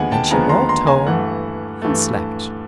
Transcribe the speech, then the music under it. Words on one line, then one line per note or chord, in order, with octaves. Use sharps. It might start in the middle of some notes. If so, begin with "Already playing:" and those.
Then she walked home and slept.
Already playing: D#2 D3 F3 G#3 B3 F#5 G#5
G5 A5
D#2 D3 F3 G#3 B3 G#5 A#5
A#5 C6
A#5 C6
G#5 A#5
G2 E3 A3 F#5
G2 E3 A3